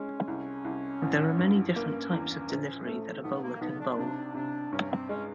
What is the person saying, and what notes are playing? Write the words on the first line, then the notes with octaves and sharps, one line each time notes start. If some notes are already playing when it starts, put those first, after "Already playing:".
There are many different types of delivery that a bowler can bowl.
Already playing: G#3 C#4
C2
C2
A1
G2
A#3 C#4
E2
A#1
A3
B1 B3
A#3
B1 B3
D4
C3 D4
C3 D4
G2 C#4
C4
G#3 C#4